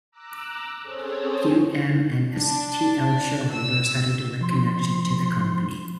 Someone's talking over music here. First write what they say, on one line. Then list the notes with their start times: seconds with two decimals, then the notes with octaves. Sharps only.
Few M and StL shareholders had a direct connection to the company.
0.11 A#5 D6 E6 F#6
0.82 C4 C#4 G#4 A4 C5 C#5
2.36 D4
3.53 E6
4.41 F3 C6